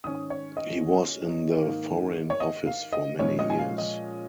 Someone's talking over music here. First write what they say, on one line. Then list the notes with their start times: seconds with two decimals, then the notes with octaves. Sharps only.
He was in the Foreign Office for many years.
0.04 G#2 D#3 C#4 D#6
0.30 C#5
0.57 D#5
1.61 G#2 D#3 A#3
2.30 C#5
2.40 D#5
2.67 F5
2.92 D#5
3.19 A#2 F3 G#3 C#4 C#5
3.39 D#5
3.50 G#5
3.59 F5
3.78 D#5